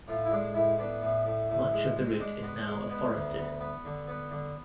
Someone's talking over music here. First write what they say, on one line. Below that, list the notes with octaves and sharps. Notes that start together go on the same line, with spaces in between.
Much of the route is now afforested.
A2 F4
E4
G#3 D4
A2 E4
B3 D4
A2
A2
A2
G#3
G#3
C4
G#3 D4
B3
G#3
B3
D2
B3
B3
D3
B3
D3